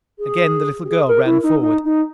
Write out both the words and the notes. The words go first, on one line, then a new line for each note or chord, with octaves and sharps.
Again the little girl ran forward.
G#4
G4
G#4
A#4
E4
D#4
D#4
D#4